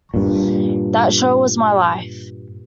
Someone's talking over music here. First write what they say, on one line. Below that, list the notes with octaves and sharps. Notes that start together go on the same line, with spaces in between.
That show was my life.
G2 A#2